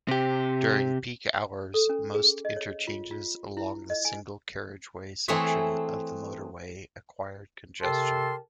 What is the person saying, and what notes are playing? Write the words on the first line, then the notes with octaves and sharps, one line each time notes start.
During peak hours, most interchanges along the single-carriageway section of the Motorway acquire congestion.
C3 G4
A4
C#4
G#4
D#5
C#5
F4
F4
E4
D#5
G#5
E3 A3 C4 G#4 C#5 E5
C3 G4 A4 A#4 A5 C6